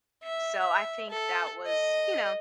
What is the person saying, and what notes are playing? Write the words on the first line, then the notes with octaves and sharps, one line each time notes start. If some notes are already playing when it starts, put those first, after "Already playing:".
so I think that was, you know,
E5
E5
A4
D#5